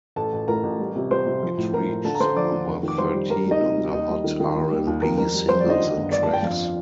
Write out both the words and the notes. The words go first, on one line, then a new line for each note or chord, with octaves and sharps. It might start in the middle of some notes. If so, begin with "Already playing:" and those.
It reached the number thirteen on the Hot R and B Singles and Tracks.
A1 A4 A5
A1
A2 A#4 A#5
A1
G3
C3
G3 C5 C6
C3
F3
A2
A2 A#4 A#5
A2
D3 A4 A5
A#5
D3 C5 C6
F3 D5 D6
D3
F1
D#3 D6
G3 C5 C6
G3
G3 A#4 A#5
G3
D#4 D#5
C3
G3
D#2 D#4 D#5
G3
D#3
D#3
D#2
G3
D#2
D#2 A#4 A#5
F2 A#4 A#5
G3
G3 C5 C6
D5
D3 D#4 D#5
D#3
G1
G1 D5
G1 A5
G5
F2 F4 F5